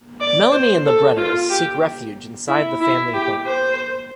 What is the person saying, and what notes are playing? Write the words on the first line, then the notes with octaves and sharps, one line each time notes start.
Melanie and the Brenners seek refuge inside the family home.
D5
C5
A4
F4
G4
E4
E4
G4
C5